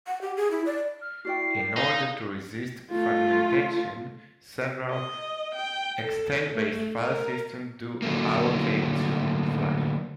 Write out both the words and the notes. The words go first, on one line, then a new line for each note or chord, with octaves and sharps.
In order to resist fragmentation, several extent-based file systems do allocate-on-flush.
F#5
G4
G#4
E4
D5
F6
E4 F#4 D5 G5 C7
A#4 D5 G5
D#4 F5
D#6
A3 F4
D#5
G5
A4
A3
A#4
D3 F#3 A3 A#3